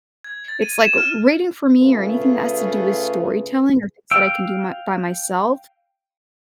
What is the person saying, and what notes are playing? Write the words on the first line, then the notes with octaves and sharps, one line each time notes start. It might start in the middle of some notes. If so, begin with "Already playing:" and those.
it's, like, reading for me or anything that has to do with storytelling or things that I can do my by myself
G#6
A6
D#7
E7
F6
C#3 A3 F4 G#4 B4
F5 G5 E6